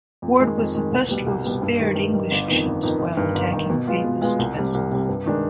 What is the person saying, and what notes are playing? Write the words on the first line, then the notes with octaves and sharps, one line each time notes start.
Ward was supposed to have spared English ships while attacking "papist" vessels.
F2
D#3 G#3
F2
D#3 G#3
C2
B2 G3 B3
C2
B2 G3 B3
G2
D#3 G3
G2
D#3 G3
G1
F2 D#3 B3 D#4
G1
F2 D#3 B3 D#4
G1
G2 D#3
G1
G2 D#3
B2
G#3 B3 F4
B2
G#3 B3 F4
C2
C3 G3
C2
C3 G3
G2
D#3 G#3 D4